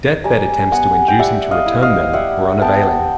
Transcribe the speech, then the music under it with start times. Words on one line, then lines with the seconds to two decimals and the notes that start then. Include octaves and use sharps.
Deathbed attempts to induce him to return them were unavailing.
0.24 G3 G#5 A#5
0.72 B3 F#5 G#5
1.08 G5
1.19 G3 E5 F#5
1.51 D#5 F5
1.66 E4
1.82 D#5 F5
2.13 G3 E5 F#5
2.61 B3 G5 A5